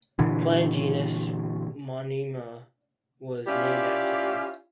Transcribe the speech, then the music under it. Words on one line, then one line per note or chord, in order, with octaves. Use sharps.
Plant genus Monnina was named after him.
A#2 D3 E3
C#4 E4 F4 G4 D5